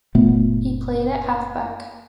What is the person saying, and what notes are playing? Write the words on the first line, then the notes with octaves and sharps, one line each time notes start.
He played at Half Back.
F#1 A#2 A3 B3